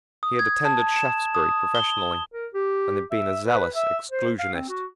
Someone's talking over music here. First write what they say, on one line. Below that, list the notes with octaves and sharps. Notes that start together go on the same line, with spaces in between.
He had attended Shaftesbury professionally, and had been a zealous Exclusionist.
D#6
G#6
A5
E7
D#6
G7
A#4
G4
E5
B4
E5
C5
F5
C4
F#4